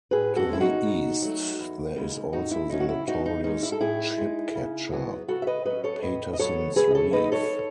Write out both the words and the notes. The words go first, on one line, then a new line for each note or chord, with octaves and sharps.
To the east there is also the notorious "ship catcher", Paterson's Reef.
A2 G#4 B4
F#4 A4
G#3 C#4 E4
D#4 F#4
B2
F#3 A3
E2
C#3 E3 G#3 D#4
A2 D#4 F#4
E4
F#3 C#4 D#4
F#4
E4
C#3 D#4 F#4
D#4
G#3 C#4 D#4
E4
A4
A2 E4 G#4
G#3 D#4
C#3
F#3 B3
C#3 F#4 A4
E5
B4 D#5
F#3 C#4 B4 D#5
A4 C#5
A2 B4 D#5
D#5
F#3 B3 A4 C#5
C#3 G#4 B4
D#5
A4 C#5
F#3 A3 D#4 B4 D#5
A4 C#5